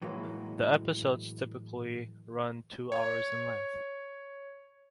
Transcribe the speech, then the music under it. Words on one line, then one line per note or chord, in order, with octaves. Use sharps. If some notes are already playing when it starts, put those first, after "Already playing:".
The episodes typically run two hours in length.
A2 E3 F#3 G#3 A#3
C#5 G#6